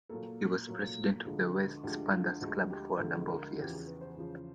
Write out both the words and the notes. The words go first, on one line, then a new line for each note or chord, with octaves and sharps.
He was President of the Wests Panthers club for a number of years.
A#2 F#3 A#3 A4
A#2 F#3 A#3
D2 D3 F3 G#3
D2 D3 F3 G#3 G4
F4
D2 D3 F3 G#3 F#4
G4
D2 D3 F3 G#3 A4
A4
A#4
E2 C#3 F3 G4
G#4
B4
C5
E2 C#3 F3